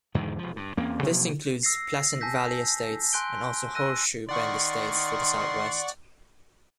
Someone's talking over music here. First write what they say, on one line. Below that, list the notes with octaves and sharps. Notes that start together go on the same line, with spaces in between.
This includes Pleasant Valley estates and also Horseshoe Bend estates to the southwest.
E2 G#2 D3 D#3
E1 F3
G2
E2 A#3 C4 C#4
B2 F3 F#3 A#3
E6 A#6 C7
G#5 A5 E6 G6 A#6 B6
G#5 C6 F#6 G6 D7 G7
E6 F#6 A#6 D#7
D#3 D5 F#5 C6 C#6